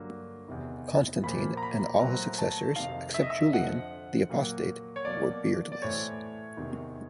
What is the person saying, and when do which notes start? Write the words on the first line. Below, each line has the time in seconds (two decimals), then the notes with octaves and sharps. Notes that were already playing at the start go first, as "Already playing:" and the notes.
Constantine and all his successors, except Julian the Apostate, were beardless.
Already playing: G2 D3 F#3 A#3
0.48 E2 C3 D#3
1.24 A#2 F3 A#3 B5
1.57 A#5
1.63 B5
2.00 A#2 F#3 A3 C4 A#5
2.39 A5
2.76 F2 C3 D#3 F5
3.14 E5
3.23 D#5
3.30 E5
3.52 F2 D3 F3 F#5
4.30 A#2 F#3 A#3
4.96 C#5
5.05 B2 F#3 A#3 D5
5.72 D5
5.82 A2 E3 A3 C4 C#5
6.57 E2 C3 D#3